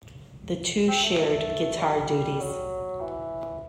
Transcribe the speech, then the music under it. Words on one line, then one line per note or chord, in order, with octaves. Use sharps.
The two shared guitar duties.
C4
A3
A3
G3
F#3
E3